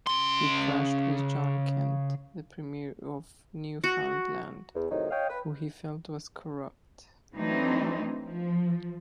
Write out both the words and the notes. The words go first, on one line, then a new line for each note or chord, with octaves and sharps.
He clashed with John Kent, the premier of Newfoundland, who he felt was corrupt.
C#3 C6
F#4
E2
A2 C3 D#3 F#3 D#4
C#5 D#5 F5 G5
B4
E3 F#3 A3 C4 D4 D#4
F3